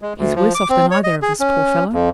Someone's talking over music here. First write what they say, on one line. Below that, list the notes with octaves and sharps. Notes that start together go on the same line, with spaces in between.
He's worse off than either of us, poor fellow.'
G#3
D2
F3
D6
C4
C#5
D#5
G#4
C#4
F2